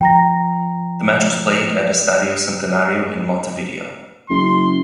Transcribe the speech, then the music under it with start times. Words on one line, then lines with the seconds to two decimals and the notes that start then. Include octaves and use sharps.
The match was played at Estadio Centenario in Montevideo.
0.01 F3 G5 A#5 A#6
4.30 F#1 C6